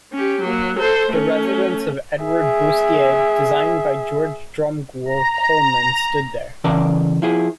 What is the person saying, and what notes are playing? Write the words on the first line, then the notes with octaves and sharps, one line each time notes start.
The residence of Edward Boustead designed by George Drumgoole Coleman stood there.
C#4 G4
F#3 A#3
A4 C5
A3 C#4
G#4 E5
A#5
C#3 E3 A#4 D5 A5
F3 E4 G#4